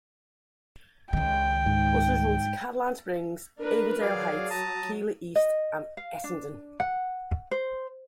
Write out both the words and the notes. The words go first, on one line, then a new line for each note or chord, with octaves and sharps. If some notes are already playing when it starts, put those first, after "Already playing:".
Buses run to Caroline Springs, Avondale Heights, Keilor East and Essendon.
C#2 D#3 G5
G#2
D4 A#4 B4
F#3 G#4 D5 F5
A5 A#5 D#6
D#5
F5
D4
F#5
C5